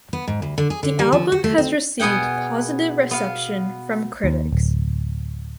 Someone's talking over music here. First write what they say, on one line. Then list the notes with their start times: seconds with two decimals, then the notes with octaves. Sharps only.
The album has received positive reception from critics.
0.13 B3
0.28 G#2
0.42 D2
0.58 D3
0.70 G#4
0.83 D3
0.99 G3
1.12 F3
1.32 F#4
1.44 A3
1.58 C4
2.00 B2 B3 G#4 F#5 G5
3.11 B3 F5
4.24 D#2
4.52 D1